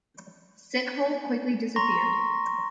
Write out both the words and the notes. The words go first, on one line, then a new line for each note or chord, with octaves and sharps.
Sithole quickly disappeared.
A#5 C6 C#6 A#6